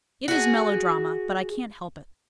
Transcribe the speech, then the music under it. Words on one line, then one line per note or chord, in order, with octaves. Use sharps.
It is melodrama; but I can't help it.
F#4 G#4